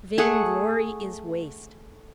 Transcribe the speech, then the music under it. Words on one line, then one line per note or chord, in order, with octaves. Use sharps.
Vain-glory is waste.
A3 G#4 F#5